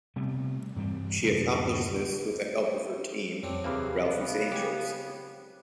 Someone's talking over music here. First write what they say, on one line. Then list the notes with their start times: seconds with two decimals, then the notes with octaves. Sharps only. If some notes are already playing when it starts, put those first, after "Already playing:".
She accomplished this with the help of her team, "Ralphie's Angels".
0.16 C3 G3 A3 B3
0.76 G2 E3 G3 C4
1.24 D1 F#2 C3 D4
3.43 F2 F#3 C4 D4
3.64 D#2 C3 E3 A#3 G#4 F5 B5
3.97 C#3 B3 B5 A#6
4.52 G4 G#5